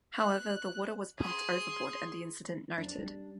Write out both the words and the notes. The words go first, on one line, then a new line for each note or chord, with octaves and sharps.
However, the water was pumped overboard and the incident noted.
F#6
G#4 C6
D4
G3